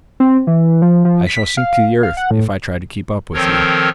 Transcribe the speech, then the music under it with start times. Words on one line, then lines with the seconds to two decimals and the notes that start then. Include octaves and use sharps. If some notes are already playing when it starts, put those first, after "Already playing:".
I shall sink to the earth if I try to keep up with you.'
0.20 C4
0.47 E3
0.82 F3
1.05 F3
1.27 B6
1.57 F5
2.03 F5
2.17 F#5
2.31 A2
3.34 D#3 F3 C4 A4 A#4 C#5